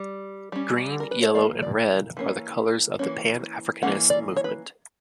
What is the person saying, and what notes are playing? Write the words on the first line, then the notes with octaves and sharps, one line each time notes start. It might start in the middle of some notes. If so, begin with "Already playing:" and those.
Green, yellow and red are the colours of the Pan-Africanist movement.
Already playing: G3
G3 C#4
A#4
B4
C#5
E3 A#3 D5
D5
E3 A#3 C#4
E3 A#3 C#4
E3 A#3 C#4 F#5
D5
C#5
B4